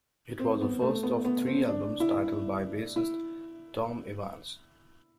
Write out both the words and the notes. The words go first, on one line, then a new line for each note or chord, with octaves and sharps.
It was the first of three albums titled by bassist Tom Evans.
C4
B3
A3
B3
B3
C4
D4
E4
E4